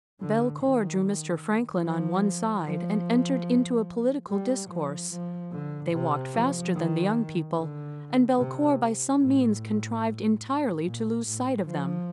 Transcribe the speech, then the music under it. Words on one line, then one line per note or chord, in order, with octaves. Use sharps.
Belcour drew Mr. Franklin on one side and entered into a political discourse: they walked faster than the young people, and Belcour by some means contrived entirely to lose sight of them.
D3
D#3
F3
F3
G3
F3
F3
D3
C3
F3
D#3
D3
C3
A2
A#2
A2
F3